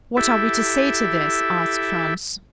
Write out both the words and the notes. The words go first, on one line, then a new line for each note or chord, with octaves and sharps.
"What are we to say to this?" asked Franz.
E4 G4 A4 E5